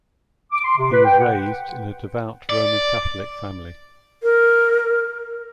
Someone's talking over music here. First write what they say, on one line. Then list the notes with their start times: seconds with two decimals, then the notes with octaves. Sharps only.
He was raised in a devout Roman Catholic family.
0.52 D6
0.64 C6
0.77 C3
0.92 B4
1.05 G5
1.20 F#5
2.49 D5
4.23 A#4